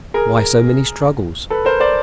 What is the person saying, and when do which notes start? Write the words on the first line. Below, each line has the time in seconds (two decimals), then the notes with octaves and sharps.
Why so many struggles?
0.14 G#4 A#4
1.50 A4 B4
1.65 A#4 C5
1.80 C5 D5